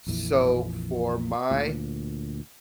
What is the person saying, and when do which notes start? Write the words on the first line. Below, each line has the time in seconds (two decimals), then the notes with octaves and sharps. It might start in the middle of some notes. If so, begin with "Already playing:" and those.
so for my,
0.07 A#1 F2 A#2 E3
1.51 D2 A#2